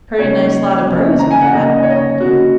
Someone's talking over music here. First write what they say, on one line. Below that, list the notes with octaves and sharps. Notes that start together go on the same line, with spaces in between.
"Purty nice lot of burros you've got," he began.
C#3 A#3 D#4 C#5
C#3 A#3 D#4
A#5
G#5
F#5
C#3 A#3 D#4 D#5
D#5
C#5
D#5
C#5
C#3 A#3 D#4 F#4